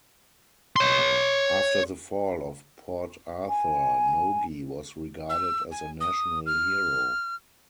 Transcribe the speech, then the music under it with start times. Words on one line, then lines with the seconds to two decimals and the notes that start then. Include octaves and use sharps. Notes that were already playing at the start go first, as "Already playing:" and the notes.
After the fall of Port Arthur, Nogi was regarded as a national hero.
0.76 C#5 C6
3.49 G#5
5.29 E6
5.71 G#5
6.00 D#6
6.46 F6